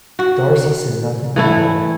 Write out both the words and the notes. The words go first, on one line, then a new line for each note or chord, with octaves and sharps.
Darcy said nothing at all.
F#4
E3 A3 E4